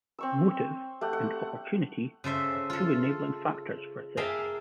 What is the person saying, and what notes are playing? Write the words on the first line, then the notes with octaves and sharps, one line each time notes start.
"Motive" and "opportunity" are two enabling factors for theft.
C4 C#6 E6
A3 G4 F#5
F#5
C#3 A4 C5 E5
F4 A4
A#3 G#4 E5 F5 G5 A5